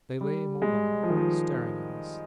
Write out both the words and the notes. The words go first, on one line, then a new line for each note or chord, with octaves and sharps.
They lay immobile--staring at us.
G3
G#3
F3
D#3
F3